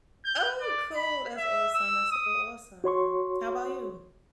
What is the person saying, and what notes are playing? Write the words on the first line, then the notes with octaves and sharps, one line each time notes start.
Oh, cool! That's awesome, that's so awesome. How 'bout you?
G6
D5
B5
E5
E6
D#6
F#4 C#5 C6 C#6